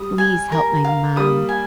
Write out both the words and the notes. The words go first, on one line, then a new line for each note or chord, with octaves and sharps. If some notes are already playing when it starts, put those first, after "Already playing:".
"Please help my mom,
Already playing: G3 D#6
G#5
A#4
F5
G3 A#3 D#6
G#5